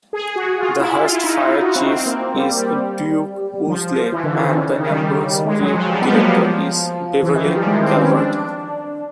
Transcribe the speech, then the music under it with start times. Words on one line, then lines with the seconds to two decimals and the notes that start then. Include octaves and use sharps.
The Hurst Fire Chief is Duke Woolsey and the ambulance director is Beverly Calvert.
0.13 G#4
0.36 F#4
0.58 F4
0.79 E4
1.03 F4
1.13 E4
1.24 D#4
1.35 D#4
1.47 F4
1.61 F#4
1.75 C4
1.91 C4
2.06 A#3
2.35 G3
2.57 G3
3.68 F3
3.90 F3
4.12 E3
4.24 D3
4.35 D#3
4.46 D3
4.57 C#3
4.68 C#3
4.80 D#3
4.91 G3
5.45 G#3
5.61 F#3
5.74 F3
5.90 G3
6.02 B3
6.13 A#3
6.23 F3
7.23 E3
7.34 D#3
7.45 F3
7.56 G3
7.67 G#3
7.82 C4
7.97 C#4
8.12 D4